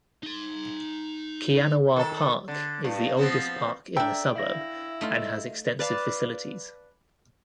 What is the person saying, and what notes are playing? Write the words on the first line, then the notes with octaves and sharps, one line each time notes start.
Kianawah Park is the oldest park in the suburb and has extensive facilities.
D#4 C6
D#3 A4
D3
G2
F3 B3 C4
D4 A4 E5 G5 A#5
E4 E5 F5 A#6
A3 D#4 F4
B4 D5 F5 A5